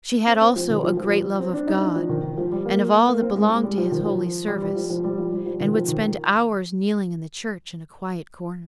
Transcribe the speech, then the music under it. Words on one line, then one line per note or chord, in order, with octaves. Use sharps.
She had also a great love of God and of all that belonged to His holy service, and would spend hours kneeling in the church in a quiet corner.
C4
C4
F3
D#3
F3
F3
G3
C4
D4
D#4
D4
F3
D#3
D#3
F3
G3
A#3
A#3
C4
G#3
G#3
G3
F3
D#3
F3
G3
G3
F3
F3
G3
F3
G3
F3
D#3
F3
D#3